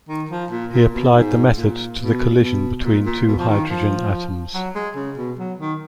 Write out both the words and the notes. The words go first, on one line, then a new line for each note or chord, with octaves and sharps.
He applied the method to the collision between two hydrogen atoms.
D#3
F3
A#2
A#2
B2
G#2
A#2
B2
B2
A#2
A#2
B2
F3
D#3
F3
F#3
G#3
C#3
B2
F#3
D#3